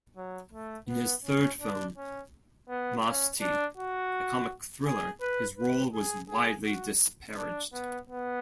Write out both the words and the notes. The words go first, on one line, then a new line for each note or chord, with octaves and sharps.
In his third film, "Masti", a comic thriller, his role was widely disparaged.
F#3
A3
B3
C#4
D4
C#4
B3
C#4
D4
F#4
G#4
B4
B4
G#4
G#4
F#4
D4
B3
B3